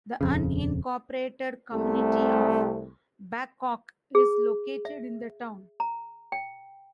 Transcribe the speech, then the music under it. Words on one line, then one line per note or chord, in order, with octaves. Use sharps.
The unincorporated community of Babcock is located in the town.
D#1 F2 C#3
C2 C3 A3
G#4
E5
A#5
G5